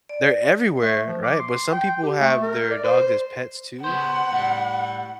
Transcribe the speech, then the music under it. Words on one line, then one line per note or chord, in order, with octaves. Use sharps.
they're everywhere, right? But some people have their dogs as pets, too,
D5
A3
F3
D6
C6
G5
G4
A3
A#4
D5
C5
C#3 B3 C5 F#5
A2 G3